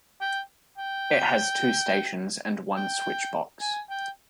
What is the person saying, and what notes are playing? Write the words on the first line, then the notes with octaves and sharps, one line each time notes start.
It has two stations and one switchbox.
G5
G5
G5
G#5
G5